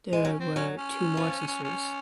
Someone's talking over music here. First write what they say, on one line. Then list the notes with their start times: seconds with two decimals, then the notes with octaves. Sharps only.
There were two more sisters.
0.13 G#3
0.25 F#3 C#4
0.40 C4
0.55 F#3 C#4
0.77 C#4
1.17 F3
1.48 C#4
1.64 C#4